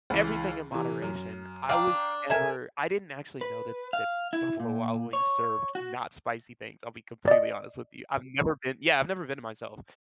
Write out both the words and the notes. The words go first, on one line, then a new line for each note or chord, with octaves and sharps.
everything in moderation, I was never I didn't actually know that that Buffalo Wild Wings served not spicy things, I'll be completely honest with you, I've never been yeah, I've never been there myself,
C#2 E3
C3 E3
F#2
D4 F5 G5 A#5
A4 A#4 E5 G#5
B4
F5
E4
A#2
C#5
F#4
D5 D#5